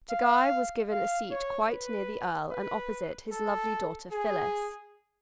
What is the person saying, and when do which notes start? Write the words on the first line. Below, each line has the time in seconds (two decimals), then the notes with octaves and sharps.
To Guy was given a seat quite near the earl and opposite his lovely daughter Phyllis.
0.11 F5
0.91 F5
1.31 C#5
1.71 B4
2.52 B4
3.33 A4
4.12 G#4